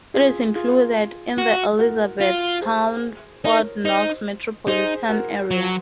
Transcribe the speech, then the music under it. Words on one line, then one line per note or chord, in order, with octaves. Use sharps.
It is included in the Elizabethtown-Fort Knox Metropolitan Area.
F4 G#4
F4 G#4
F#4
F#4 A#4
F4
G#4 C5
D#4 A#4 C#5
D#4 C5 D#5
D#4 G#4 C5
F#4 A#4
F#3